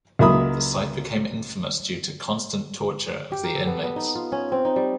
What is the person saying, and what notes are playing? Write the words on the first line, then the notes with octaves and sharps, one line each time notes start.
The site became infamous due to constant torture of the inmates.
C#2 F#3 A#3 E5 B5 D#6
G4
A#4
A4
B3
B3
D#4
F4
C#4
C4
D#4
G3